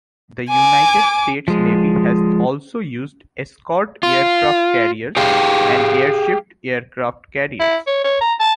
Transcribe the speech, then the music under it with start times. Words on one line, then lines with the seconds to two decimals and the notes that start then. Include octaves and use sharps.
The United States Navy has also used escort aircraft carriers and airship aircraft carriers.
0.49 G#5 D6
1.48 F3 G#3
4.03 F4
5.17 G4 G#4 F5 G5
7.60 E4
7.87 C#5
8.04 C#5
8.21 A#5
8.40 A5